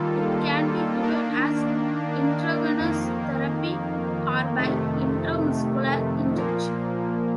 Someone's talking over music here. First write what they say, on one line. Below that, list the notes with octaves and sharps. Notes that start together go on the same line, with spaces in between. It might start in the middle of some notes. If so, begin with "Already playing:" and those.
It can be given as intravenous therapy or by intramuscular injection.
Already playing: D#3 G3 A#3 F4 A4
D#3 A#3 D4
F2 D#3 A#3
F2 C3 D#3 A3
A#2 F3 A#3